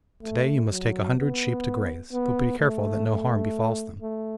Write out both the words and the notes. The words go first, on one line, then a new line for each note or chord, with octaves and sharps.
To-day you must take a hundred sheep to graze; but be careful that no harm befalls them.'
A3
F#3
B3
B3
A3
A3
A3